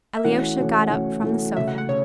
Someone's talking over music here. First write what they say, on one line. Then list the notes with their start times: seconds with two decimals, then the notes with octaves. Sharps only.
Alyosha got up from the sofa.
0.17 E5
0.25 E3 A3 C#4 F#4 F#5
0.57 E3 A3 C#4 F#4
0.90 E3 A3 C#4 F#4
1.23 E3 A3 C#4 F#4
1.56 C#3 A3 C#4 F#4 E5
1.68 F#5
1.78 F#5
1.89 C#3 C#5